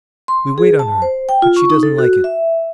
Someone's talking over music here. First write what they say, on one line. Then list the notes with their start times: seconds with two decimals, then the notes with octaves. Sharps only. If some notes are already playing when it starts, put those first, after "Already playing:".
We wait on her, but she doesn't like it.
0.28 C6
0.58 G#4
0.79 A5
1.02 C5
1.29 G5
1.42 F4
1.56 C#6
1.70 D#4
1.83 A4
1.99 F#4
2.24 E5